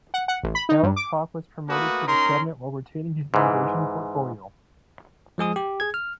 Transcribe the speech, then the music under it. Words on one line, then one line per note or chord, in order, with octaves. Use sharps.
Alex Hawke was promoted to the cabinet while retaining his immigration portfolio.
F#5
F#5
A1
B5
D#4
G2
D6
A3 A#3 F#4 B4 D#6
C#4 D#4 A#4 C6
G#2 E3
F3 G#3 G#4 D#6
G4
G#4 G#6
F6